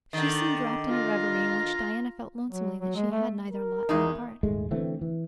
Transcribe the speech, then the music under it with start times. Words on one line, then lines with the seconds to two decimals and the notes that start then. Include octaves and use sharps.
She seemed wrapped in a reverie in which Diana felt lonesomely that she had neither lot nor part.
0.13 D3 D#3
0.88 F4 A#5
2.49 F#3
2.80 F#3
2.96 G#3
3.11 A3
3.50 A#4
3.89 E2 G#3 D#4
4.43 D#1 G#2 G#3 A3
4.71 D3 E3 A3 C4
5.01 E3